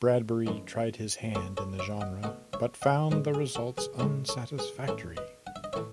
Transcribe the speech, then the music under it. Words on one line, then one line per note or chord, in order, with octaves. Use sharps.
Bradbury tried his hand in the genre but found the results unsatisfactory.
F#2 E3 A3 D#4
B2 A3 E4 A4 C#5
A4 C#5
C#5 E5
D#5 F#5
B2 A3 E4 D#5 F#5
C#5 E5
D#5 F#5
A2 G#3 D#4 B4 D#5
G#4
F#4 A4
G#4 B4
A2 G#3 D#4 A4 C#5
A4 C#5
G#4 B4
A2 E3 A3 C#4 E4 A4 C#5
B4 D#5
F#5
E5
D#5
A2 E3 A3 E4 C#5 E5